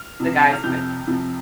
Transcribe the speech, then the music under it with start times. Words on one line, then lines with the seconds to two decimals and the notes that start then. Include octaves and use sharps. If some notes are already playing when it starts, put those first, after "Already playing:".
the guys in my family.
Already playing: F6
0.19 F2 C3 F3
0.53 F6
0.63 F2 C3 F3 G6
1.07 F2 C3 F3